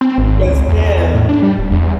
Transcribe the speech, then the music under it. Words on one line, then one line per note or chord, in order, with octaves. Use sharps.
Yes, ma'am.
C4
G#1
C#2
E2
A2
D4
G3
D1
E2